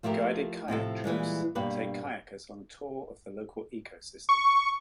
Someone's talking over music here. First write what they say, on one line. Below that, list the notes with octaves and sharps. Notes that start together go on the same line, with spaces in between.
Guided kayak trips take kayakers on a tour of the local ecosystem.
F3 A3 E4 G4 A#4
A2 C3 F3 A4
A#2 E3 G3 G#3
G2 B2 A#3 G4 B4
C#6